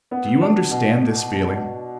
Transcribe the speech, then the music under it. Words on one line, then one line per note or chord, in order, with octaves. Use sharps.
Do you understand this feeling?
B3
D4
B2